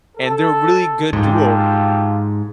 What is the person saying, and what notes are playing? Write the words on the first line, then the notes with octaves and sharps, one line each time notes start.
and they're a really good duo,
A4
G#2 F4 G4 A4